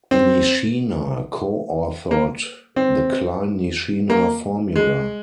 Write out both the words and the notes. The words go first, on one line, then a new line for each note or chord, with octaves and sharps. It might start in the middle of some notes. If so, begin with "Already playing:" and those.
Nishina co-authored the Klein-Nishina formula.
C4
A#3
C4
A#3
G#3